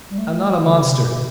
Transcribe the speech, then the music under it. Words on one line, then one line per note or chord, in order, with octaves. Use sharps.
I am not a monster.
G3
A3
D3
C3
B2